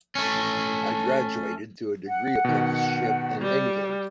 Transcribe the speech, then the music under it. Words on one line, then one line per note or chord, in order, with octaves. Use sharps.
I graduated through a degree apprenticeship in England.
A3 C#4
F#5
B2 D#3
G3